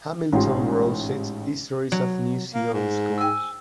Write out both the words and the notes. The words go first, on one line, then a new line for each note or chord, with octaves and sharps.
Hamilton wrote six histories of New Zealand schools.
A1 G#2 F4 G4 C6
F#3
A#3
G#2
G#5 E6